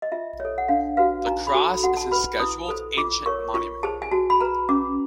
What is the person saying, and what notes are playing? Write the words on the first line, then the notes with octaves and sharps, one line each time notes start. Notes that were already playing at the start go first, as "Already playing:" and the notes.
The cross is a Scheduled Ancient Monument.
D#5
F4 E5
A4 C#5
F#5
D4 F5
F#4 B4 F5
D#4 A#5
B5
F#4 A4 C5 A#5
F#4 F#5
A5
B4 B5
E4 D#6
A4 C5
F4 D6
A#4 C#5 C#6
F4 C#6
G#4 C5 A5
G#5
F#4 A5
B5
B4 A#5
C#4 D6